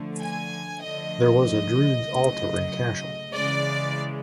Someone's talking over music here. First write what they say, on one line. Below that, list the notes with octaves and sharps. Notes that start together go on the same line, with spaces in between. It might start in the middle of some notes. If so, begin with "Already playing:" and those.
There was a druids altar in Cashel.
Already playing: D3 F3 A3
G#5
D3 F3 A3 D#5
C#3 F#3 A3
C#3 E3 G#3 D5